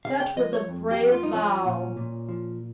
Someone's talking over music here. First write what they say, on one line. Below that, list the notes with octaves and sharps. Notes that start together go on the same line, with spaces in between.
"That was a brave vow."
C#3 F5
G5
F3 D#5
C#5
F2
G4
F2
F4
D#4
F3 C#4
A#2
A#2
F3